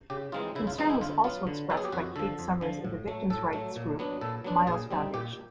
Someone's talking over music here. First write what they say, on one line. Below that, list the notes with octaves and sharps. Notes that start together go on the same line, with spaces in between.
Concern was also expressed by Kate Summers of the victims rights group Miles Foundation.
C#3 G4
E3 G#3 C4 D#4 F4
C#3 E4
F4
E3 G#3 C4 D#4
E4
D3 F4
F#3 B3 F4
D3
F#3 B3 A4
G#4
G4
F2 F#4
D3 F3 A4
F2
D3 F3
A2
F#3 A3
A2 A4
F#3 A3
A#2
F#3 B3 D4
A#2 A4
F#3 B3 D4
A#2 G#4
G3 C4 D#4
A#2 G4